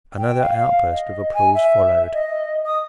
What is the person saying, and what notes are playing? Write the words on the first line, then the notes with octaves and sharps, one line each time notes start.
Another outburst of applause followed.
G5
F5
F5
D#5
G#5
E5
D#5
D#6